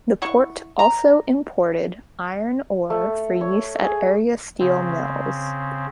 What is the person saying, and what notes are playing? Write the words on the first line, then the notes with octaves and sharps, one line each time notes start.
The port also imported iron ore for use at area steel mills.
E4 F#5 C#6
A#5
A3
C#5
G#4
C#3 C4